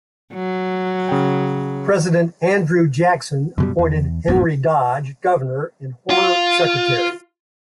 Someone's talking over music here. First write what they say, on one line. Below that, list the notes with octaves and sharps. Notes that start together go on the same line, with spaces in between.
President Andrew Jackson appointed Henry Dodge Governor and Horner Secretary.
F#3
C#3 G5
F#2 B2 G3
E2
A1 F2 G#2 B2
F4